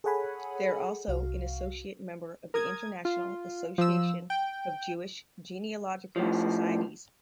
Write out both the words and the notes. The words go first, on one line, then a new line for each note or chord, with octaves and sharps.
They are also an associate member of the International Association of Jewish Genealogical Societies.
G#4 A4 C#5 F#5 G#5 B5
C2 F#4 F5
A#4 D#6 G#6
F4
F3 E6
G5
A2 F3